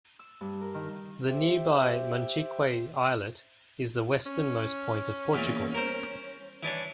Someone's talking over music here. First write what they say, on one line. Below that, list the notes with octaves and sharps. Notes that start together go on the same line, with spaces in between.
The nearby Monchique Islet is the westernmost point of Portugal.
E6
G2
A#4
D#3
G4 C5 E5 G5
C#4
E2 A#2
A#4 C5
E3 D4 C#5